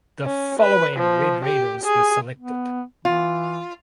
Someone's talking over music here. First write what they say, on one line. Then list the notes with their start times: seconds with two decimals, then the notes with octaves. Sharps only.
The following Red Raiders were selected.
0.25 C#4
0.60 B4
0.97 F3
1.45 G4
1.84 G#4
2.38 B3
3.05 E3 F4